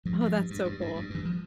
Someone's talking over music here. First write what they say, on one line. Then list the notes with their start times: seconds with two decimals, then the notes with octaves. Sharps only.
Oh, that's so cool.
0.05 G2 F3
0.20 G2
0.36 G2
0.50 G2
0.65 G2
0.81 G2
0.95 G2
1.10 G2 E3
1.25 F3